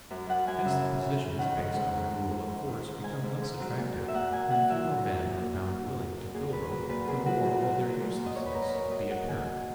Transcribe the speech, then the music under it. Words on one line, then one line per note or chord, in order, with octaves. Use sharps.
As the positions based on the rule of force become less attractive and fewer men are found willing to fill them, the more will their uselessness be apparent.
F#2
F#2 F#5
F#2 G#5
C#3 E5
E3
C#3
C#3
D#3 F#5
G#2 D#5
G#2 F#5
D#3
G#2
G#2
G#2
D#3
G#2
G#2 G#5
G#2
G#2
F#3
A#2
A#2
E5
A#2 F#5
A#2 G#5
A#2 F#5
F#3 E5
A#2
F#3
A#2
A#2
A#2
F#3
F#3
A#2
A#2 G#4
F#3 B4
F#3
A#2 B4
F#3 G#4
F#3 F#4
A#2
F#3
F#3
A#2
A#2
D#5
A#2 C#5
B4
F#3 A#4
A#2 C#5
F#3 D#5
F#3 F#5
A#2 G#5
F#3 G#5